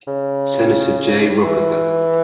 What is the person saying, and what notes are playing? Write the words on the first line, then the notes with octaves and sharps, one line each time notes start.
Senator, Jay Rockefeller.
C#3
E3